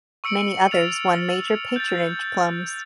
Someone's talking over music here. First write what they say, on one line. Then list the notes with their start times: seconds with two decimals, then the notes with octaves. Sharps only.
Many others won major patronage plums.
0.24 C#6 E6 C#7 D7 F#7
0.71 C#6 F6 A6 C#7 F7
1.29 E6
1.76 G6 A6